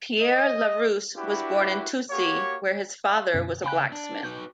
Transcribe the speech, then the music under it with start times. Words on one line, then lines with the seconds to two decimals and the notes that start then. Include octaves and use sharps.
Pierre Larousse was born in Toucy, where his father was a blacksmith.
0.20 D#5
1.17 D4 E4 F#4 G4 B4
2.10 A#3 F#4 G4 C#5
3.06 F5
3.33 F#2 B2 D3
3.64 C#3 F5 G5 G#5 B5 F#6
3.92 D4
4.23 D#4 F#4 B4 G6